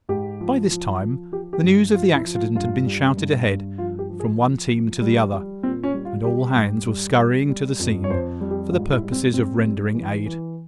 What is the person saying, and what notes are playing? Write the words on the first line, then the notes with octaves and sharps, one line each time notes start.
By this time the news of the accident had been shouted ahead from one team to the other, and all hands were hurrying to the scene for the purpose of rendering aid.
G#2 G4
F3
F3
F3
F3 G4
G4
G2
F3 F4
E4
F3
F4
G2 F4
G3
G2
G2
F3 F4
G4
F3
G#4
F3
F3
G3
G3
A#2 C4
C#4
G3
F4
G3 G4
G2
G3
G3
G3
F2
C#5
F2 C5
G3
G4
G#2 F4
E4
G3
C4
G#2 C4
G3
E3
E3